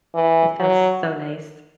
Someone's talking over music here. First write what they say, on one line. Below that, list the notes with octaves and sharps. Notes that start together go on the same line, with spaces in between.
It feels so nice.
E3
F#3